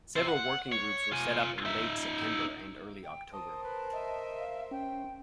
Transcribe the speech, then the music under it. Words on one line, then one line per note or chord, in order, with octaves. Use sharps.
Several working groups were set up in late September and early October.
C5 E5
F#5
C#5
F4 G#5
D#4 E5
G5
A#4 C5 A5 D#6
B4
D#5 E5
F5
C#4 G5